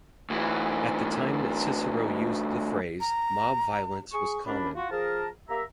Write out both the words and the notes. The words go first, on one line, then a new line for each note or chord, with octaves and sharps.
At the time that Cicero used the phrase, mob violence was common.
D2 E3
A#5
G#4 C#6
D#2 C#4 D4 B5
F4 F#4
F3 G#4 A#4 A5
A#3 G4 E5 A#5